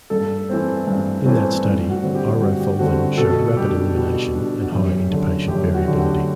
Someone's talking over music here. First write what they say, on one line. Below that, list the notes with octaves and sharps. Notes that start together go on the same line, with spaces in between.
In that study, irofulven showed rapid elimination and high interpatient variability.
G2 A4
E3 A3 C4
G2
E3 A3 C4
G2
F#4
D3 A3 C4
G4
G2 F#4
G4
D3 A3 C4 F#4
B2 A4
G3 D4 G4
B2
G3 D4
F#4
F#2 G4
D3 A3
F#2 G4
F#4
D3 A3
G4